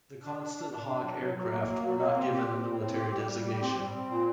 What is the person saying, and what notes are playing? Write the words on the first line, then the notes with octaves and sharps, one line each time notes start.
The Constant Hawk aircraft were not given a military designation.
D4
D4
D4
D4
D4
F#3
F#3
F#3
A#3
F#3
F#3
A#3
C4
G4
C4
A2
C4
G4
G3
G3
G4
C4
G3
C4
A#2